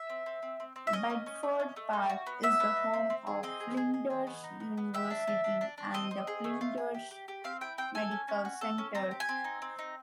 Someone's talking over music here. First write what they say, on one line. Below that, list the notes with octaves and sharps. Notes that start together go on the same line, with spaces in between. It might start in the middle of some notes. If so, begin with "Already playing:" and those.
Bedford Park is the home of Flinders University and the Flinders Medical Centre.
Already playing: E5
C4
C4
C4
C4
C4
E5
C#4 D#5
C#4
C#4
A3
C#4
A3
D#4
F#4
B3
B3 E5
B3
D#4
C4
C4
G#4
C4 D#5
G#4
G#4
G#4
G#4
B3
D#4
B3
B3
G4 E5
D4
D4
D4
D4
D4
C4 D#5
C4
G#4
A3
F4
G#4
G4
G4
G4
C4 F5
E4 G5
C4 G5
A4 G#5
C#4
C#4
F#4
A4
C#4
C4 A#5
G4
G#5
C4
D#4
C4
D#4